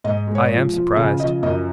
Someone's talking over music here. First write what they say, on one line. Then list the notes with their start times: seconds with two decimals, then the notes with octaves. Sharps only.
I am surprised.
0.04 G#2 D#5
0.27 G#3
0.35 C#5
0.50 F3
0.73 F3
0.96 C#3 G#4
1.20 F3 D#5
1.43 F#2 D#5